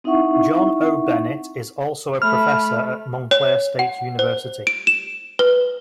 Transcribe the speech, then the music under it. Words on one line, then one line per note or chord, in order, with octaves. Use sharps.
John O. Bennett is also a professor at Montclair State University.
C4 D#4 E4 E5 F#5 C#6
A3 B5 F6
C#5
F#5
C5
D7
E7
B4